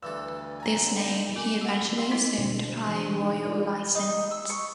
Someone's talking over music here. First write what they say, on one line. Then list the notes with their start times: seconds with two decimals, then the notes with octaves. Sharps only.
This name he eventually assumed by royal licence.
0.03 D2 G2 E3 A4 E6
0.60 G#5 A#5
0.84 D3
0.98 D#4 D#5
1.36 F#4 A#4 G#5 D6
1.61 G4 D#5 F#5
1.98 G4 G5 C6
2.11 B3 D#4 E4 F#4 C5 D#5
2.38 B2 D3 C4 D4
2.69 C5
2.87 E3 D4
3.21 D#4
3.45 F4 A4 A#4 D5
3.95 D#4
4.31 E6
4.50 C#6